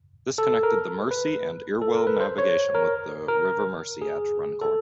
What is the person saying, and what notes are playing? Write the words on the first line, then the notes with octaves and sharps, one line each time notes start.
This connected the Mersey and Irwell Navigation with the River Mersey at Runcorn.
A4
A#4
B4
A4
A#4
B4
C5
C#5
A#4
A#4
G#4
A4